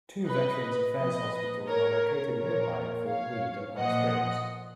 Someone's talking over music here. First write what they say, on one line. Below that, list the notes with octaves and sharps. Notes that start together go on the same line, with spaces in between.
Two Veterans Affairs hospitals are located nearby at Fort Meade, and Hot Springs.
B4 D#5
A#2 F3 B4 D#5
A#4 C#5
A#2 F3 A#4 C#5
C#5 F5
A#2 F3 D#5 F#5